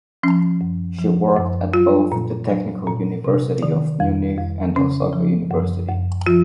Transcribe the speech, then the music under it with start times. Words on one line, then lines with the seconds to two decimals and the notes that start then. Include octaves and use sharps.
She worked at both the Technical University of Munich and Osaka University.
0.23 F3 C#4
0.61 F#2
0.98 F3
1.36 F#2
1.74 F#3 F4
2.12 A#2
2.49 F#3
2.87 A#2
3.24 C3
3.62 D#3
4.00 F2
4.38 F2
4.76 C#3 C#4
5.13 F3
5.51 F#2
5.89 F#2
6.27 F3 F4